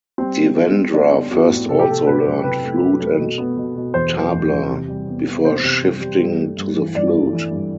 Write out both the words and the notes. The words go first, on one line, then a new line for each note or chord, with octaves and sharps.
Devendra first also learned flute and tabla before shifting to the flute.
G3 C4
B3
B3
G3
G3 D4
B3
B3 F#4
A2
C3 A4
G4
C3 A4
C3 B4
F#3
C3 B4
A3
F#3
A3
B2
B3
B2
B2
E2 C5
F#3
E2
E2
C3
G3
B3
B3
C3 C5
C3
G3
G3
G2
A3
G2
E3
G2 D5
A3
E3
G2